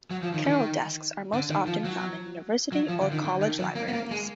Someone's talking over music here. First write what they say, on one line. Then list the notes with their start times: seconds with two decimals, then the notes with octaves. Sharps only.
Carrel desks are most often found in university or college libraries.
0.11 F#3
0.23 F3
0.34 D#3
0.45 D#3
1.33 D3
1.50 D#3
1.67 F3
1.85 F#3
2.72 F#3
2.88 F3
3.01 D3
3.12 D#3
3.24 D3
3.41 D#3
3.59 F#3
3.75 A#3
3.88 B3
3.93 A#3
4.11 G#3